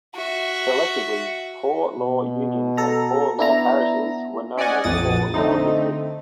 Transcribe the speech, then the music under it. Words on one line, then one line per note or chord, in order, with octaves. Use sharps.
Collectively, poor law unions and poor law parishes were known as poor law districts.
F#4 E5
B2
A4 A#5
B3 D4 E4 A#5
C#4 D5 D#5 F#5 G#5
A#1 F2 D#6 A6
D3 A3 C4 D#4